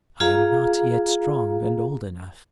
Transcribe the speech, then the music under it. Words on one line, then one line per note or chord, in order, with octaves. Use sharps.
I am not yet strong and old enough.
F4 G#4 F5 A#5